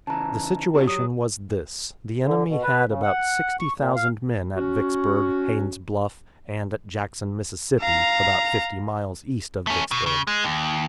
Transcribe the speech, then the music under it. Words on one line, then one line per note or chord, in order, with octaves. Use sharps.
The situation was this: The enemy had about sixty thousand men at Vicksburg, Haines' Bluff, and at Jackson, Mississippi, about fifty miles east of Vicksburg.
C#3 E3 A5 A#5
C4 D4 F4 G4
F#3 D#6
D3
B2
B4
C#3
F#5
C#6
A#2
F5
C#4 F#4
F5 A#5
A3 C#4
B2
C#3
G#3
D#2